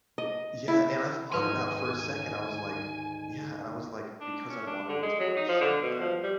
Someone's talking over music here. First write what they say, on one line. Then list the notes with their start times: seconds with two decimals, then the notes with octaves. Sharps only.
Yeah, and I thought about, for a second, I was like Yeah. And I was like, because I wanted it to work so bad,
0.18 D#5
0.68 E4
1.32 D2 G#2 D#3 B4 G#5 C6
4.20 D4
4.49 C#4
4.66 D4
4.89 D3
5.02 G#3
5.20 F#3
5.36 D#4
5.49 F3
5.60 D3
5.82 B2
6.00 F3
6.23 G3